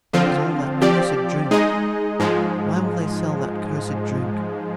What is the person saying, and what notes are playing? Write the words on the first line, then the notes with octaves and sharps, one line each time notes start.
It was all that cursed drink; why will they sell that cursed drink?
D3 F3 C4 F4
F3 C4 G4 D5
G#3 D#4 G#4 D#5
G#2 F3 G#3